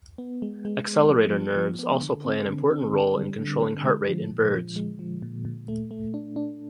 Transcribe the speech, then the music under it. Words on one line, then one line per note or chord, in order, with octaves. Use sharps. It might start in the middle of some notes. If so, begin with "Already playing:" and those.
Accelerator nerves also play an important role in controlling heart rate in birds.
B3
G#3
G#3
G#3
F3
F3
F3
B3
D3
C4
D3
C4
D3
G3
D3
D3
G#3
F3
A#2
F3
G#3
F3
A#2
A#2
A3
A3
D4
D4